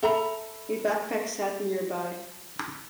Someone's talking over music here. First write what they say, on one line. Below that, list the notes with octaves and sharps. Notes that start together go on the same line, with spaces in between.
A backpack sat nearby.
A4 E5 A#5 B5